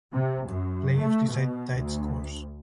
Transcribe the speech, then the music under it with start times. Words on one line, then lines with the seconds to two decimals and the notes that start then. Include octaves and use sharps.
Playoffs decide tied scores.
0.12 C3
0.47 F#2
0.98 A3
1.30 B2
1.76 D2